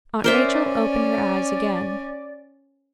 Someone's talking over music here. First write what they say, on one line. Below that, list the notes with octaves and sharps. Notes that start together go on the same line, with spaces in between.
Aunt Rachel opened her eyes again.
C#4 A#4 C5 D5 E5